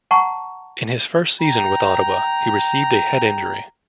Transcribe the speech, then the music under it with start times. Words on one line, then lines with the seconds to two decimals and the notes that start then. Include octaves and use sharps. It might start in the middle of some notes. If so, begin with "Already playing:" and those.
In his first season with Ottawa, he received a head injury.
0.11 F#5 A5 A#5 C#6
1.41 G5 A#5